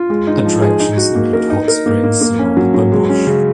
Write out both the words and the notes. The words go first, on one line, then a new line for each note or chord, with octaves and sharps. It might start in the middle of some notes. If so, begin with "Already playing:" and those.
Attractions include hot springs surrounded by bush.
Already playing: F4
G#3
D#4
F3
G#4
D#4
F#4
A#3
A#4
D#4
A#4
A#3
A#3
A#3
C#4
F#3
F#3
G#3
C#4
C#3